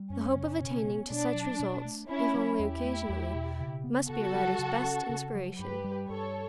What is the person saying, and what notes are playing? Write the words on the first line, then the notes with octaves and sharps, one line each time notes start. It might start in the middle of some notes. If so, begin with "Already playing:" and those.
The hope of attaining to such results, if only occasionally, must be a writer's best inspiration.
Already playing: G3
F#2 C#4
C#3
B2 C#4
B3
B2 D4
F#3
B2
A3
C#4 D4 E4
F#3
E2 E4 G4
A3
E2
B2
C#3
B3
C#3 F#4 A4
F#3
C#3
C#4
C#3
F#3
G2 G4 B4
G3
G2 A4 C#5